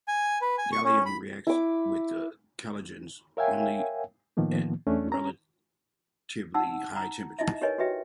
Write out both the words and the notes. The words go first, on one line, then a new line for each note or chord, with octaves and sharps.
Gallium reacts with the chalcogens only at relatively high temperatures.
G#5
B4
G#5
C#6
C#4
B5
E4 D6
A#4 C#5 E5 F5 G5 G#5
A2 D#3 F3 A#3 B3
E2 A3 C#4 D4
C#4 A#5
D#4 F#5 A5 E6
A#5
D#4 E4 D#5 E5
G4 A#4 B4 C#5 D#5 G#5
F#4 G4 B4 E5 G5